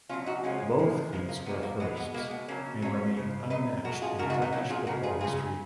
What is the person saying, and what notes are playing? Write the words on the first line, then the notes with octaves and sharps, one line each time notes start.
Both feats were firsts, and remain unmatched in Turkish football history.
B2 F#3 C#4 F4
D#4 F#4
C#3 F3 G#3 C#4 F4
A#2 F3 G#3
C#3 F3 G#3 A#3
A#3
A#2 F3 G#3 B3
A#3
B2 G#3 B3
B3
B2 G#3 A#3
B3
C#3 F#3 A#3 C#4
B2 F#3 C#4 F4
C#3 F3 G#3
C#3 F#3 B4 D#5
B2 G#3 F#4 A#4
F4 G#4
C#3 G#3 F#4 A#4
D#4 F#4
B3 D#4
A#2 F#3 A#3 C#4
F4 G#4
C#3 G#3 F#4 A#4
F4 G#4
C#3 F#3 F4 G#4